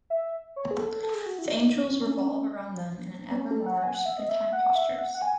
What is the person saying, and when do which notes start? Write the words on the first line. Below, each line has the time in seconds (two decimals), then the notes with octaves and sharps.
The angels revolve around them in ever-more serpentine postures.
0.10 E5
0.56 C#5
0.71 G#4
0.79 A4
1.03 A4
1.14 G#4
1.26 F#4
1.39 E4
1.50 D#4
1.96 C#4
2.11 C#4
2.28 C#4
3.31 B3
3.36 C#4
3.51 A4
3.66 F#5
3.83 G#5
3.95 F#5
4.06 E5
4.18 D#5
4.29 E5
4.52 F#5
4.75 E5
4.98 F#5
5.14 F#5
5.22 G#5